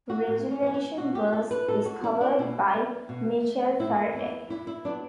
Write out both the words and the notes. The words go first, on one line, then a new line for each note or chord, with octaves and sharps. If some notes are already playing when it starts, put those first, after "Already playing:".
Regelation was discovered by Michael Faraday.
F#4
A2
C#4
E3 B3
C#4
B2 F#4
G4
G3 B3 A4
B4
A2 A4
F#4
G3 B3 E4
D4
B2 E4
G3 B3
B2
A3
A2 E4
E3 G3 B3
G2 E4
E4
F#3 B3 D4